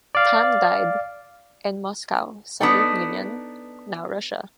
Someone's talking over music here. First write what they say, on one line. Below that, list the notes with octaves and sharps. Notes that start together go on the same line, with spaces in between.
Tamm died in Moscow, Soviet Union, now Russia.
D5 F5
B3 D4 D#4 A4